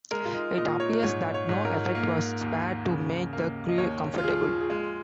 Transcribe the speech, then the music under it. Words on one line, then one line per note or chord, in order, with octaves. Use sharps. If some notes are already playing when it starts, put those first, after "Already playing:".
It appears that no effort was spared to make the crew comfortable.
G#3 A#4
F4
D#4
A#2 D#5
C#5
G#2 C#5
C#5
G#2
A#4
A#3
D#2
C#3
A#3
D#5
D#2 C#5
F4
F3 G#4
G#4
G#3 F4